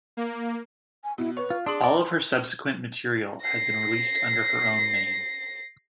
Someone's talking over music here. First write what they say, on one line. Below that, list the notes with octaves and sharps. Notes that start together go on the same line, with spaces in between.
All of her subsequent material has been released under her own name.
A#3
G#5
B2 E4
B4 C#5
F4
D4 G#4 C6 D#6 F#7
D5 D#5
A#6 C7